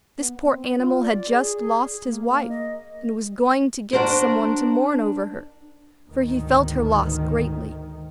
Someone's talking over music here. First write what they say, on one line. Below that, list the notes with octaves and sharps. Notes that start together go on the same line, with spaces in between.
This poor animal had just lost his wife, and was going to get some one to mourn over her, for he felt her loss greatly.
B3
C4
F4
D5
G#4
A#3
D#5
D4 F#4 A#4 C5
D2 G#2 D#3